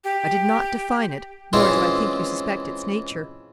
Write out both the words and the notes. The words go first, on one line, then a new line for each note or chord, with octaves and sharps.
I did not define it, nor do I think you suspect its nature.
G4
E3 G#3 C4 C#4 E4 F4